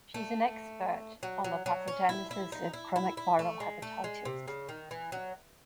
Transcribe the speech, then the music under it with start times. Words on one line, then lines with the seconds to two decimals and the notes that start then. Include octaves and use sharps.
She is an expert on the pathogenesis of chronic viral hepatitis.
0.14 A3
1.23 F#3
1.44 F#3
1.66 F#3
1.88 C#4
2.09 E4
2.31 E4
2.52 D#4
2.73 E4
2.96 E4
3.17 E4
3.39 A3
3.60 G#3
3.82 A3
4.04 G#3
4.25 C3
4.48 C#3
4.69 D#3
4.91 E3
5.12 F#3